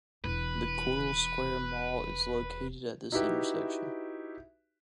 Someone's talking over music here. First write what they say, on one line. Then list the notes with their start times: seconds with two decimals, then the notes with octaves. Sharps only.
The Coral Square mall is located at this intersection.
0.24 E1 E3 B4
3.12 D#4 E4 F#4 G4 B4 E5